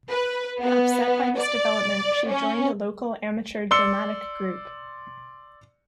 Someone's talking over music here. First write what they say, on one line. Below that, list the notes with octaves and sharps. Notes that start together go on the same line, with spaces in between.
Upset by this development, she joined a local amateur dramatic group.
B4
B3
D5
C#4
D5 C6 E6 C#7 G7